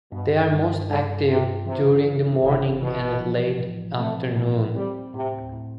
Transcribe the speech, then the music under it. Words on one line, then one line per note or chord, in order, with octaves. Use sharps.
They are most active during the morning and late afternoon.
G2 B2
G2
G2 D3
C3 F4
C3 E3
E3
G1 A2
B2 E3
F3
A2
A3 C4
A2
G3 C4
A2 C3
A2